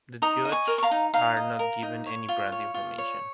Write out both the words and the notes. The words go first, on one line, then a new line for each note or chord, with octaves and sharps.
The judges are not given any brand information.
D#4 A#5 D#6
D#5
G#5 C#6
A#4
C#6
F5 A#5
D#4
D#4 F5 A#5
D#5
A#4
D#4
C#5
F4
C#5
F4
C#5